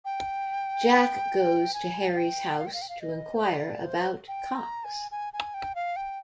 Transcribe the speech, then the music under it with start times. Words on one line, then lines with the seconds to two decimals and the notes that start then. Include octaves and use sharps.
Jack goes to Harry's house to inquire about Cox.
0.05 G5
1.74 G#5
2.09 F5
2.17 G5
2.59 F5
2.66 G5
2.73 F5
2.82 G5
2.89 F5
3.01 D#5
3.35 C5
3.43 D5
3.85 C5
4.28 G5
4.55 A#5
4.84 G#5
5.11 G#5
5.33 G#5
5.54 G5
5.75 F5
5.96 G5